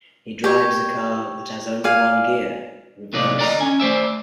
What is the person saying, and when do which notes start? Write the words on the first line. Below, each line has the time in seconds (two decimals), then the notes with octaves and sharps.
He drives a car that has only one gear, reverse.
0.44 G4 C#5
1.84 D5 F5 G#5
3.13 A2 C3 F#3 A#3 D#4 D5
3.38 D3 D5 D#5 G#5 A#5
3.60 C#4 G#5
3.80 A3 C5 D5 E5